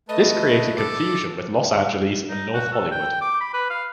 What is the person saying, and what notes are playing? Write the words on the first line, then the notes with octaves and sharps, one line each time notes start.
This created confusion with Los Angeles and North Hollywood.
A3 B4 D#5 A5
A4 D6
D#4
F#4
A4
G5
D6
B5
B4
F5